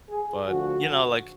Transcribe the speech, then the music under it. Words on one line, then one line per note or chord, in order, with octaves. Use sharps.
But, you know, like,
G#4
D2 D3 F3 F#4